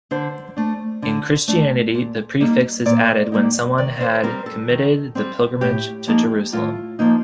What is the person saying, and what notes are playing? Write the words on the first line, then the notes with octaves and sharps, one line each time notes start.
In Christianity, the prefix is added when someone had committed the pilgrimage to Jerusalem.
D3 C5
A3 D4
D3
A3 D4
A#2
G3 A#3 D#4
A#2 D5
G3 A#3 D#4
D#3 D5
C5
G3 C4 A#4
A4
D#3
G3 C4
A2 G4
F3 A#3 D#4
A2 F4
F3 A#3 D#4